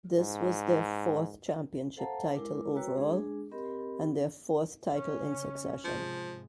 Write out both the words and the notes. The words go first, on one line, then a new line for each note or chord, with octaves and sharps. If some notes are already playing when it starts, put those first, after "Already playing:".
This was their fourth championship title overall and their fourth title in succession.
G#2
A4 C5 F5 F#5 A5 A#5
G#3 E4 A#4 D6
F#4 B4 C#5 G5 A#5 E6
G#3 D4 G#4
C4 G4 A#4 D#5 B5
C#3 C#4
G#2 C3 F3 G#3